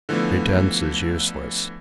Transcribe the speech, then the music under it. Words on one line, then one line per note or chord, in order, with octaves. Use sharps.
Pretence is useless.
D3 E3 F3 A3 B3